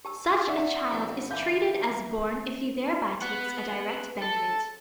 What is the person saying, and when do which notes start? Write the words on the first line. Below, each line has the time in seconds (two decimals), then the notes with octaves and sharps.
Such a child is treated as born if he thereby takes a direct benefit.
0.05 G4 A5 E6
0.47 D#4 D5 E5 F#5
0.91 A#1 B3 C4
1.31 D3 E3 F5 A5 G6
3.22 B4 F#5
4.22 A4